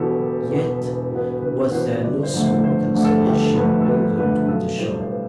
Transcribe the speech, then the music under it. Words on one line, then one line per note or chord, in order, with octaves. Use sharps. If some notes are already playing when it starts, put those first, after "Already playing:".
Yet was there no small consolation mingled with the shock.
Already playing: E1 E2 B2 B3 G4 A4
E1
E2 B2 B3
E1
E2 B2 B3
E1 B4
E2 B2 B3 C5
G1 D5
C5
F2 D3 A3
C5
G1 C5
F2 D3 A3
A4
G1 G4
A4
F2 D3 A3 B4
A4
G1 B4
F2 D3 A3 B4
B1 A4
A2 G3 C5
C5
B4